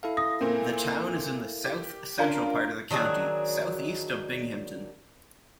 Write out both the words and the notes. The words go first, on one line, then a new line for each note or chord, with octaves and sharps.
The town is in the south-central part of the county, southeast of Binghamton.
E4 A4 F5
D#6 A#6
A#2 C4 A#4
G4
C#4 D4 F4 A#4 F5
D#3 F#3 D4 G#4